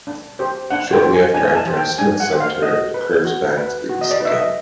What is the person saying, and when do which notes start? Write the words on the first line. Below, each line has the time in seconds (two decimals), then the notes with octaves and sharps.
Shortly after entering Smith Center it curves back to the east again.
0.07 D4
0.39 G4 C5
0.71 D4 F#5
0.93 G5
1.02 G4 C5
1.14 G#5
1.34 D4 G#5
1.48 G#5
1.55 A5
1.67 G4 C5
1.77 G5
1.98 D4 G#5
2.20 F#5
2.29 G4 C5
2.40 F5
2.62 F#4 D#5
2.94 B4
3.25 F#4
3.57 B4
3.89 F#4
4.01 D#5
4.11 D5
4.20 B4
4.25 E5
4.32 D#5